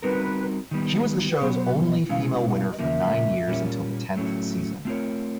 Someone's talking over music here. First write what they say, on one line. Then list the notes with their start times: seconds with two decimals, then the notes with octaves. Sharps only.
She was the show's only female winner for nine years until the tenth season.
0.03 G3 C4 D#4 F#4 A#4 B4
0.71 D#3 G3 B3
1.29 B4
1.41 B2 F#3 B3 C5
1.54 C5
1.64 B4
1.87 D#5
2.09 B2 G#3 C#4 E4 F5
2.33 F#5
2.40 F5
2.47 F#5
2.56 F5
2.71 D#5
2.79 C#3 F3 A#3 E5
3.47 A#2 G3 A#3 C#4 F4
4.16 A2 F#3 A3 C#4
4.85 A3 C4 F4 A#4 C#5